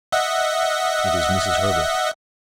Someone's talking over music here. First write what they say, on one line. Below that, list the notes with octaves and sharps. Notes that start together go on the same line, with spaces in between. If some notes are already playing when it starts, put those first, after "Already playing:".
"It is Mrs. Herbert."
D#5 E5 F#5